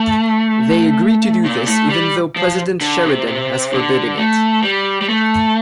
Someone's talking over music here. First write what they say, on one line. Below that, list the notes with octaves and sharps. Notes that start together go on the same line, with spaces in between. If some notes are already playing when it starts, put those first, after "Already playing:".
They agree to do this even though President Sheridan has forbidden it.
Already playing: A3
A#2
A3
G3
F3
D3
C3
C3
D3
A3
G3
G3
A3